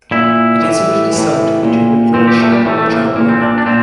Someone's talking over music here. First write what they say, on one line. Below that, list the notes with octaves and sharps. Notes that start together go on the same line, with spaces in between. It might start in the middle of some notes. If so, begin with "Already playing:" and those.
It is usually sung to the tune "Yorkshire" by John Wainright.
A#2 E4
A2 E3
A2 E3
A#2
A#2 C4
G4
A3
G3
A2 E3 A3
A3
A#3
A#2 A#3
C4
D4
D4
A#2 C4